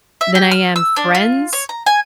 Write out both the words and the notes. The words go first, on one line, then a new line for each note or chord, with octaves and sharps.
than I am friends
E5
G4
F6
E6
D4
F4
C#5
A#5
G#5